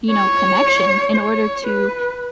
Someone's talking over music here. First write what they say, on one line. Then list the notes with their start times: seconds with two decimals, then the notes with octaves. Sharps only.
you know, connection, in order to
0.11 C#5
1.15 C#5
1.67 B4